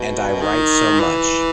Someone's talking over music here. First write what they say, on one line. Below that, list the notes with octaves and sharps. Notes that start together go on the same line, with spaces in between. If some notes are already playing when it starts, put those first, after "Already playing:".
And I write so much.
Already playing: B2
D#3
E3